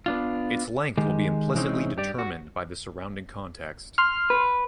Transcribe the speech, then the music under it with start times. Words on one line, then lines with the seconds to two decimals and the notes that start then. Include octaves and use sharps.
Its length will be implicitly determined by the surrounding context.
0.06 B3 D4 F4
0.98 D#3 G#3 G4
1.55 C3 E3 G#3 C4 C#4 D#4
1.97 G2 G4 D5
2.19 F#4
3.98 C6 F6
4.30 B4